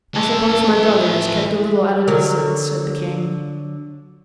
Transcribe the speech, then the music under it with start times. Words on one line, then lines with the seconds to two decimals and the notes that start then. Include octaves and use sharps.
"I suppose my brother is kept a little at a distance," said the king.
0.15 E3 A4
2.07 D3 F#3 A#4